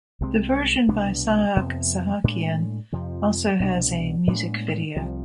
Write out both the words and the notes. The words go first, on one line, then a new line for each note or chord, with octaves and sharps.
The version by Sahak Sahakyan also has a music video.
C2 C3 G#3 C4
C2 B2 B3 D4
F2 C3 F3 B3
A2 G#3 D4
F2 C3 F3
C2 B2 B3 D4
A2 G#3 B3 D4
C2 C3 F3